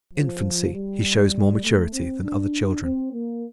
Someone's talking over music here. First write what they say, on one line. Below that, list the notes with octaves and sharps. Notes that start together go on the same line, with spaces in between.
From infancy he shows more maturity than other children.
F3
G3
A3
C4
D4
C4
A#3